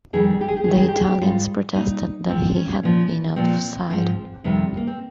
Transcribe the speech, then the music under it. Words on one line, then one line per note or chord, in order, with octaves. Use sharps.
The Italians protested that he had been off-side.
F2 D#3 G3 G#4
G4
G#4
G4
G#4
F2 D#3 G3 G4
G#4
G4
G#4
G4
G#2 G3 F4
A#2 G3 D#4
G#2 F3 C4
C#4
A#2 F3
A#2 F3 C4
G#2 F3
F2 C3 D#3 G3
A#3
C4